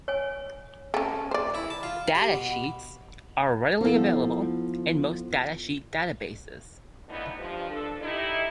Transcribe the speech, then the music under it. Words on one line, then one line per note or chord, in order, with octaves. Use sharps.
Datasheets are readily available in most datasheet databases.
C#5 G#5
C#4 A4 G#5 A5
C5 D5
E4
A5
F4
G4
B2
F3 B3 E4 A4
F2 A2 D3 E3 B3 D#4
G2 F3
D4 A4
D#4 E4 G4